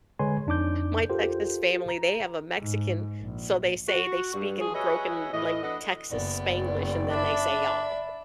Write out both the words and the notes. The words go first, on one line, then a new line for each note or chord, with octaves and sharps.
My Texas family, they have a Mexican so they say they speak in broken, like, Texas Spanglish, and then they say "y'all."
D3 G#3 B4 C#5 G#5 C6
F2 D4 D#4 D6 G6
F4 G4 A4 A#4 C5
A#5
G#2
A#1
F#4
G2
F3 G#4
F#4 G#4 B4 C#5 D#5 E5
A2 E3 D#5
D4 F#4 A4 B4 D#5
F#1 B3 D5
D4 E5 B5